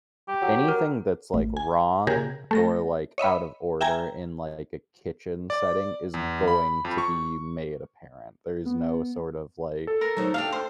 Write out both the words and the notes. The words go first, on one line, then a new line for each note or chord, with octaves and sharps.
anything that's, like, wrong or, like, out of order in, like, a kitchen setting is going to be made apparent, there's no sort of, like
G4
F#3 A4
A#4
A1
G#5
C#3 G4 G#4 A#4
A3 A4 A#6
C#5 D#5 E5 B5
E5 G5 G#5 A#5 G#6
D5
E2
B5
F2
C#6
B3
A4
A#4
F#3 D#4 C5
D4 F#4 F5 G5
C5